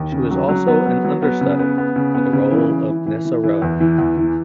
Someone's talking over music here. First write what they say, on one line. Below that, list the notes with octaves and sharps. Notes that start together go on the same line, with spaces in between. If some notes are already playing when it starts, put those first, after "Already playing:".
She was also an understudy for the role of Nessarose.
Already playing: D#2
C#3
F#3
F#3
B3
F#3
F#3
B3
C#3
B3
B3
C#3
B3
C#3
E3
E3
E3
E3
E3
E3
E2
E3
E2
E3